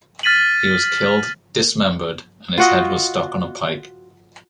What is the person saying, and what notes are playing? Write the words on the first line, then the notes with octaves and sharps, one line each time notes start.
He was killed, dismembered and his head stuck on a pike.
F6 A6 B6 D#7 F#7
F4 F#4 D#5